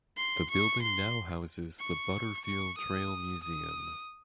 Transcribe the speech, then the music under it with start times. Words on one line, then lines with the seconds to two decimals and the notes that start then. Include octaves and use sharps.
The building now houses the Butterfield Trail Museum.
0.17 C6
0.50 C#6
0.82 C6
1.80 C#6
2.45 C#6
2.78 D#6
3.43 D#6